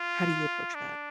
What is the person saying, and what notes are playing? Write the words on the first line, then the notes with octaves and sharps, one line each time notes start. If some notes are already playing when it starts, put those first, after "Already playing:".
how do you approach that?
Already playing: F4
D4